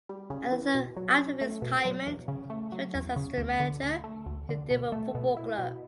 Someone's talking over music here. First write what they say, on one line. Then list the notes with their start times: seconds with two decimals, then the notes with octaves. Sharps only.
After his retirement he worked as an assistant manager in the different football clubs.
0.09 G3
0.30 C#3
0.52 E3
0.75 B2
0.97 F#3
1.18 C#4
1.41 A3
1.62 B2
1.85 F#3
2.07 E2
2.28 C#3
2.50 A3
2.72 F#3
2.95 E2
3.16 C#3
3.38 D2
3.60 D3
3.83 D2
4.04 A3
4.26 D2
4.49 D3
4.71 B2
4.92 A3
5.15 B2
5.37 E4
5.58 B2